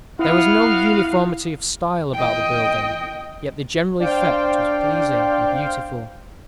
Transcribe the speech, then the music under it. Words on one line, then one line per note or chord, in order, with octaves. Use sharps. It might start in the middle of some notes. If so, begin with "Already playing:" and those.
There was no uniformity of style about the building, yet the general effect was pleasing and beautiful.
B3 E4 F#4 F5
D#5 G5
D4 C5 F5 G5